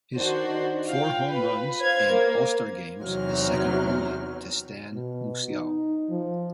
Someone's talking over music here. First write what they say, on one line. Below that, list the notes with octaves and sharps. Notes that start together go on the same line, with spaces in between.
His four home runs in All-Star games is second only to Stan Musial.
D#3 D4 F#4 C5
D#4
F4 F5 G5
B4
C5 F5 G#6
A#3
E2 C3 E3 F#3 D#4 F6
B2
D#4
F3